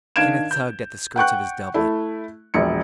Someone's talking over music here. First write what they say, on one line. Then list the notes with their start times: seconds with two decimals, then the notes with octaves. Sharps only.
Kenneth tugged at the skirts of his doublet.
0.16 D#3 D4 F5 G#6 D7 E7
0.51 G6
1.16 F#5 G5 C#6 F#6
1.74 A3 E4
2.54 E1 A#1 C#7